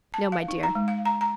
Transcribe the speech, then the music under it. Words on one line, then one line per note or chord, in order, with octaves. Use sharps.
"No, my dear."
A5
F5
D#4
A#5
G#3
F5
A#5
A#5